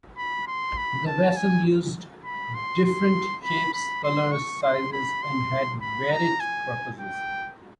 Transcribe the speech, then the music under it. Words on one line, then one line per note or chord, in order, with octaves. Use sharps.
The vessels used different shapes, colors, sizes, and had varied purposes.
B5
C6
B5
A5
G#5
B5
C6
C6
B5
B5
C6
C#6
C6
B5
C6
B5
A#5
G#5
G5